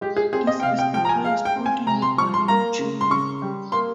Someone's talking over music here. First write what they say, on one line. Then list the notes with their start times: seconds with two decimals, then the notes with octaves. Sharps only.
This is the highest point in the Balleny chain.
0.01 G#3 G4
0.17 G#4
0.33 C4 G#4
0.47 D#5
0.60 G5
0.63 C3 F5
0.79 G5
0.94 F3 G5
1.05 A#5
1.09 G#5
1.25 G#3 F5
1.45 G5
1.56 C4
1.66 G#5
1.86 C3 A#5
2.02 C6
2.17 F3 C#6
2.34 C6
2.48 A#3 A#5
2.79 C#3
3.01 C6
3.10 C#3 C#6
3.42 G3
3.72 A#3 C6